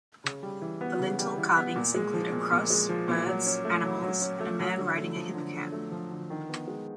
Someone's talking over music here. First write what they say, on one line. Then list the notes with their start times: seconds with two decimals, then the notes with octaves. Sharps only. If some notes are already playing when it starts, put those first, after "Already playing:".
The lintel carvings include a cross, birds, animals, and a man riding a hippocamp.
0.24 C#3
0.43 G3
0.62 E3
0.81 B3
0.99 C#3
1.19 G3
1.38 E3
1.57 B3
1.76 A#2
1.94 G#3
2.13 F3
2.32 A#2
2.52 A#2
2.70 G#3
2.89 F3
3.08 A#2
3.26 F#3
3.46 C#4
3.65 A3
3.84 F#3
4.02 F#3
4.21 C#4
4.40 A3
4.60 F#3
4.78 D3
4.97 A3
5.16 F3
5.35 D3
5.54 D3
5.72 A3
5.92 F3
6.10 D3
6.30 D#3
6.49 B3
6.68 G#3